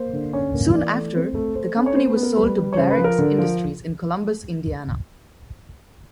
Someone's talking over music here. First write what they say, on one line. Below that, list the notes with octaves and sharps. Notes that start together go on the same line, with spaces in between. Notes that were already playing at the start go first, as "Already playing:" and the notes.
Soon after, the company was sold to Blairex Industries in Columbus, Indiana.
Already playing: A#3 C5
D3
C#4 C#5
A#3
E3 D5
A3
C4 C5
A3
A3 C5
C#4
C#5
B3 C5
B4
B3
A#4
G3 B4
G3
C#5
C#3 C5
B4
F3
A#4
D3
F3